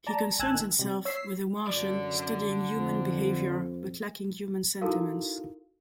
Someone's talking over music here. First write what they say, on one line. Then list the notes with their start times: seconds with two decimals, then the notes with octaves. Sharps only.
He concerns himself with a Martian, studying human behavior, but lacking human sentiments.
0.07 D5 A5 A#5
0.39 A1 G#5 A5 E6 F#6 G#6
0.55 D#3
0.79 C3 G3
1.05 C#5 E6 B6 C7
1.67 F#2 D3 D5
2.73 F2
4.81 D#4 E4 F#4 A4 A#4 F5